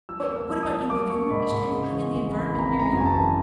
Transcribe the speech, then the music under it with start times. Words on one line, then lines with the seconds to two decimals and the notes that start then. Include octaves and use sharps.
But what about you? Have you noticed anything in the environment near you?
0.09 F3 E6
0.29 A#3
0.36 E6
0.50 F3
0.63 D#6
0.70 F3
0.90 A#3 D6
1.10 A#3 C#6
1.30 G#2 B5
1.50 G#2 B5
1.71 C#3 C6
1.91 E3 C#6
2.11 G#1 C6
2.32 E3 B5
2.52 G#1 B5
2.59 A#5
2.66 B5
2.72 C#3
2.79 A#5
2.93 F#2 G#5
3.05 A5
3.13 E3